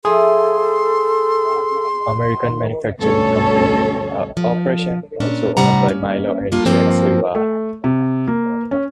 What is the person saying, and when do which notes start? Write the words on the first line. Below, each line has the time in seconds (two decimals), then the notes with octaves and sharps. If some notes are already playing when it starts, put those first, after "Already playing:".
American Manufacturing Company, a operation also owned by Milo and Jacques Revah.
0.05 F3 B3 E4 G#4 A4 C6 D#6
2.99 D2 G2 B2 C#4 A4 C#5
4.37 F3
5.20 A#2 C#4 D4
5.57 A2 C3 G3 F#5 A#5
5.88 A#3 C#4
6.52 G3 A3 A#3 D4 F4 G4
6.66 G2 F3 A#3 C4
7.35 A3
7.84 C3
8.27 A#3
8.71 C#4